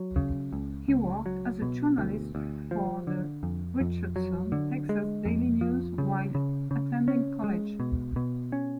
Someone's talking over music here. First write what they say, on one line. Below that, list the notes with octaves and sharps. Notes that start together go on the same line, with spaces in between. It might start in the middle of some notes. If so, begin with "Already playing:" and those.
He worked as a journalist for the Richardson, Texas, Daily News while attending college.
Already playing: F#3
C#3
C#2
C#2
F#3
B2
D2
D2
F3
D3
F2
F2
F#3
D3
G#3
F2
F3
C#3
C#3
C#3
C#4
G#3
B2
B2
C#4